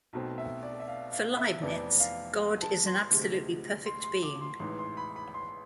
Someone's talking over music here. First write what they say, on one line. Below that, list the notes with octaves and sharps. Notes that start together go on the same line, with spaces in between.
For Leibniz, God is an absolutely perfect being.
B1 B2 A3 C4
E5
D5
E5
F5
F5
E5
F1 F2 E3 B3 D5
F5
A5
C6
D2 C3 G#3
C6
C6
D6
C6
A1 G#2 E3 C6
C6
B5
B5
C6